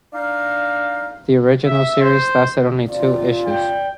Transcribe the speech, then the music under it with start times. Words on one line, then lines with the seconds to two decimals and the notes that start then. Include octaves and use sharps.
The original series lasted only two issues.
0.13 D4 D#4 F5
1.66 E5
2.01 C5
2.87 C3 F4 D5
3.46 G5